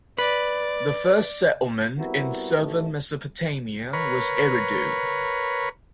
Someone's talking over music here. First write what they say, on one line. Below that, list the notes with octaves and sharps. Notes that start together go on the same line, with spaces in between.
The first settlement in southern Mesopotamia was Eridu.
B4 D5
G3 B3 C4 E4 F#4 A#4
A1 D#3 A3
A#4 B4 C#5